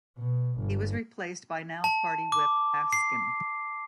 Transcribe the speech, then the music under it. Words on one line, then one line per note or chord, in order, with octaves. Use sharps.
He was replaced by now-Party Whip Askin.
B2
G1
A5
D6
C7